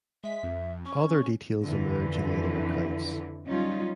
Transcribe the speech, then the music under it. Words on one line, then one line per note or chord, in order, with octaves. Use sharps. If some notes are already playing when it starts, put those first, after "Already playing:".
Other details emerge in later accounts.
G#3 E5 B6
F2
C#4 C#6
F2 D3 E3
F#3 G3 C#4 D#4 F4